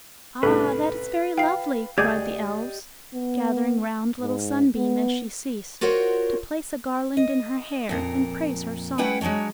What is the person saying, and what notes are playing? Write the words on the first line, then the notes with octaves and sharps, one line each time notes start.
"Ah, that is very lovely," cried the Elves, gathering round little Sunbeam as she ceased, to place a garland in her hair and praise her song.
C2 A2 C#3 A4 B4
F4 F5 G5 C7
D2 G4 G#4 D5 D#5 D6 G6 G#6
B3
G#2
B3
F4 F#4 A#4 C5 C#5 F#5
D#5
F2 A#2 A#4
G3 C#4 E4 B4 F#5 G5
F#3 G#3 C4 D4 C#5